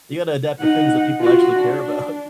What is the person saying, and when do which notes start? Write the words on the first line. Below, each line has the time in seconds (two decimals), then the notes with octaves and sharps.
you gotta adapt the things that people actually care about.
0.60 D#4 F#5
1.20 F4 F#4
1.59 D4